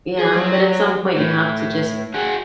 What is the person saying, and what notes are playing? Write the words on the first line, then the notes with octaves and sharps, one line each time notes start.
Yeah, but at some point, you have to just
G#4
F#3 C#5
A2
F#4 G#4